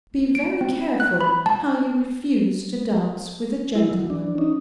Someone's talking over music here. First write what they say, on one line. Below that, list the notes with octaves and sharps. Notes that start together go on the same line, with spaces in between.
Be very careful how you refuse to dance with a gentleman.
D7
C4
F#6
B5
A5
E4
F#3
D4
C#4 D#4